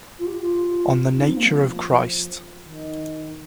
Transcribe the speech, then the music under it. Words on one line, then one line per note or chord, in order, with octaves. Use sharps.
On the Nature of Christ.
F4
G4
F4
D#4
C4
A#3
F3
D#3